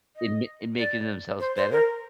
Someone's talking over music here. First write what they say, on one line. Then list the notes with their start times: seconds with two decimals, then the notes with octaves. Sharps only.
in ma in making themselves better?
0.16 D#5
0.78 D5
1.40 C5
1.56 C5
1.71 A#4